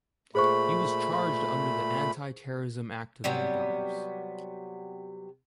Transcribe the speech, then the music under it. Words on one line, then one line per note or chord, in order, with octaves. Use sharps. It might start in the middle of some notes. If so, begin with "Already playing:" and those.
He was charged under the Anti-Terrorism Act of Maldives.
A#2 A3 G#4 C5 B5 C#6
C3 F#3 G3 B3